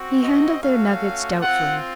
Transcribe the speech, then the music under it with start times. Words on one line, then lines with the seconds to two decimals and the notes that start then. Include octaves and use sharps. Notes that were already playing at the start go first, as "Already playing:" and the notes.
He handled their nuggets doubtfully.
Already playing: C4 F#4
0.23 D#5
0.62 A3 C#4 F#4 F5
1.42 C4 F4 F#5